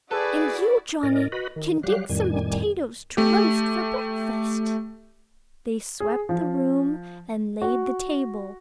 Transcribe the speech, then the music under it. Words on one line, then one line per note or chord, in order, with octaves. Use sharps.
"And you, Johnny, can dig some potatoes to roast for breakfast." They swept the room and laid the table.
E4 F#4 G#4 A4 B4 D5
A2 A#4 D5 D#5
F#4 B4 D#5 B5
D#3
F#3 G3 G4 F5 F#6
F2 A2 D#3 G3 G#5
A3 G4
G#4
F3
F#4